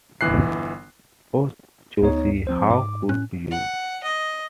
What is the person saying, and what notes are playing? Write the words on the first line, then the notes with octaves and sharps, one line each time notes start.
Oh Josie, how could you?
G1 E3 F#6 C7
D2 B3 D#4 C#5
F3 C4 C5
G#2 D6
A2 C#4 F#6
F#5
D#5